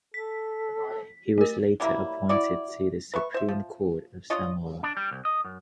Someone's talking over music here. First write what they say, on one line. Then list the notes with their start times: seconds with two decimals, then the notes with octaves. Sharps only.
He was later appointed to the Supreme Court of Samoa.
0.14 A4 B6
1.38 A3 A#4
1.80 F#3 G3 A#3 E4
2.29 E4 F#4 D5
3.13 B4 E5 C#6
3.34 C5 E5
3.48 F3
4.30 D4 F4 C#5 D#5
4.83 D4
4.97 G3
5.11 C2
5.25 D#5
5.45 F#2